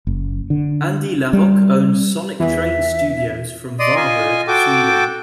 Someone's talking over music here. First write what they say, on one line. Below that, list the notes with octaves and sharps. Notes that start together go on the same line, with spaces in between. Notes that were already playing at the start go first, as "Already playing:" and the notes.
Andy LaRocque owns Sonic Train Studios from Varberg, Sweden.
F#1
D3
G3
E2 E3 E5
D5 D#5 C6 D#6
F4 D#5 G#5
F#4 A4 G5 D6